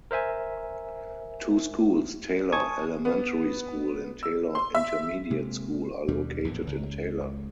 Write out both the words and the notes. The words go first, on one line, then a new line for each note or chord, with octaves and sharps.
Two schools, Taylor Elementary School and Taylor Intermediate School, are located in Taylor.
A#4 C5 E5 G#5
G#5 A5 C#6 D#6 G#6
B3
E6
C6
E5
C3 G#3 A#3
D#2 B2 G3 D4
A#1 E2 A2 E3
C#2